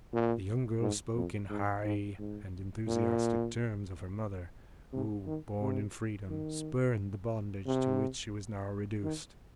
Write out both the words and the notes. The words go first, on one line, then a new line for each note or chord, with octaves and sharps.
The young girl spoke in high and enthusiastic terms of her mother, who, born in freedom, spurned the bondage to which she was now reduced.
A#2
G#2
F2
G#2
G#2
G#2
A#2
C3
D#3
C3
D#3
C3
D#3